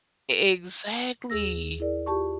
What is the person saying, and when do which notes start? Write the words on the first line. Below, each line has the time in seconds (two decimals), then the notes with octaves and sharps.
E exactly.
1.30 D#2 G#4 E6 A#6
1.80 E4 G#4 A#4 D5
2.06 F4 G4 A5 C#6